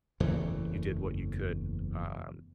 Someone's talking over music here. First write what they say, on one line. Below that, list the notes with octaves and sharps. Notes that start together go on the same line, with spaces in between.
you did what you could, um,
F#1 E2 E3 A3